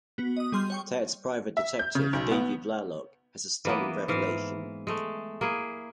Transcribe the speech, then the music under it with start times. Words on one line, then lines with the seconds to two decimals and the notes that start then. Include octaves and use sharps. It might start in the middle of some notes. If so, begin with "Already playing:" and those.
Ted's private detective Davey Blalock has a stunning revelation.
0.18 B3 F#4
0.37 D#5 D#6
0.52 G3 G#4 C6 F6 G6
0.70 C#5 G5 C#6
1.57 E5
1.79 G6
1.95 C#3
2.13 B1
2.31 B3
3.65 E3 A#3 B3
4.08 G#2 E3 F5
4.87 G#3 A3
5.41 A#3 E4 G#4